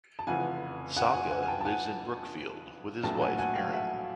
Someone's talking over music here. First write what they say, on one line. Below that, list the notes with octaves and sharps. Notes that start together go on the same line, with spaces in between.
Salka lives in Brookfield with his wife Erin.
A5
F1 F2 C#3 E3 F#5 G#5
F#5 G#5
F#5 G#5
F#5 G#5
G#5
G5 A5
A5
F#5 G#5
A#1 A2 F#3 A3 G5 A5
A5
F#5 G#5
F#5 G#5
F5 G5
E5 F#5